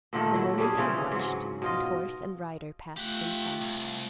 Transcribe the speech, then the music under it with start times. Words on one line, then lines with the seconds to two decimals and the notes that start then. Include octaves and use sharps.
A moment he watched, and horse and rider passed from sight.
0.13 A#2 D3 D#3 A3
0.34 F#3 E4
0.58 G3 C#4 D4 G#4
0.77 C#3 E3 C4 C#4
1.12 G#2 F#3
1.62 B2 F4 D#5
2.97 A3 F4 G4 F#5
3.61 C2